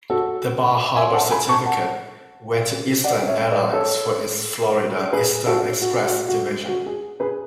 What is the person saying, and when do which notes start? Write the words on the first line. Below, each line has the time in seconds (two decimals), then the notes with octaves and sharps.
The Bar Harbor certificate went to Eastern Airlines for its Florida Eastern Express division.
0.10 F#4 A4
0.96 E5 G#5
1.13 F#5 A5
1.30 G#5 B5
1.49 A5 C#6
1.66 F#5 A5
3.04 D5 F#5
3.27 C#5 E5
3.51 B4 D5
3.73 A4 C#5
5.12 G#4 B4
5.46 F#4 A4
5.82 F#4
6.05 F#4
6.28 F#4
6.68 F#4
6.86 G#4
7.20 G#4 B4